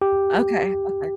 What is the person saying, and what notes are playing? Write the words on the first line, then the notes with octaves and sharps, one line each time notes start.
Okay, okay.
G4